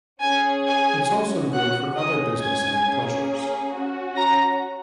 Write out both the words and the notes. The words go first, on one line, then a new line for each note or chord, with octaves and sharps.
It's also good for other business and pleasures.
C#4 G#4 G#5 G#6
G#5 G#6
C#4 F#4
F#5 F#6
C#4 G#4 D#5 D#6
G#5 G#6
A#3 C#4 G#4
C#4 F#4
A#5 A#6